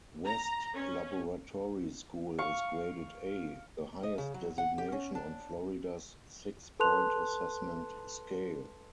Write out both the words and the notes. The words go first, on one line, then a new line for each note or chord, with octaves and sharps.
West Laboratory School is graded "A", the highest designation on Florida's six-point assessment scale.
A#5
C#4
F5 C#6
D#5
C#3
F#3
F#5
G4
C#4
D4
A4 B4 A5 C6 F#6 F7